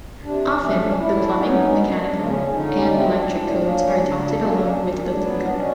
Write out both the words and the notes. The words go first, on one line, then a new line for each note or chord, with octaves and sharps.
Often, the plumbing, mechanical, and electric codes are adopted along with the building code.
C3 D4
C#4
F3 A3 C#4
D4
A2 D4 E4
F#3 B3 C#4 D#4
F#2 D4
D4
C#3 F3
C#4
D3 C#4 D#4
F3 A3 C4 D4
A2
F#3 A#3 C#4
C#3 D4
F#3 A#3 C#4
A#2
F#3 B3
B2 C#4